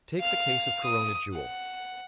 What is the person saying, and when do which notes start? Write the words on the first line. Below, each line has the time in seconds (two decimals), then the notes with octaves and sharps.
Take the case of Corona Jewel.
0.20 F5 F6
0.84 D#6
1.33 F#5